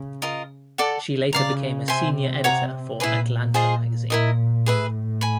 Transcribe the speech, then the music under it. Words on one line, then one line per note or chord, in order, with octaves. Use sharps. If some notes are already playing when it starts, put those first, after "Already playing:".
She later became a senior editor for "Atlanta" magazine.
Already playing: C#3
F4 A#4 D#5
A4 D5 F#5
C#3 D5 F5 A#5
C3 C5 E5 G#5 C6
C#5 F#5 A#5
A#2 E4 G#4 B4
F4 G#4 C5 D#5
A#2 E4 G4 A#4 D#5
A2 G#4 B4 E5
G#5 B5